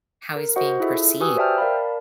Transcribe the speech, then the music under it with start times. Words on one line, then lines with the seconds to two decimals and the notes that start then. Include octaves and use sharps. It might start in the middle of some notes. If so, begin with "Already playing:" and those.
How he's being perceived?
0.36 A#4
0.56 F#4 C5 D#5 F#5
0.80 E4 F4 G#4 A4 E5
1.20 F#4 G4 B4 G#5 D#6 E6
1.37 C5 D5 E5 G5 A5 F6
1.58 A#4 D5 F5 A5 B5